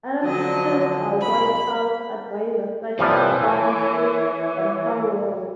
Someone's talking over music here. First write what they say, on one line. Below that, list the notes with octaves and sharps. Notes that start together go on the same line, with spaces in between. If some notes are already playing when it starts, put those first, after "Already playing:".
Other fixtures are White House advisers such as Karen Hughes and Karl Rove.
D3 F3 F#3 D#5
C2 F#3 G#3 B5
C3 E3 F3 G3 C#5
A3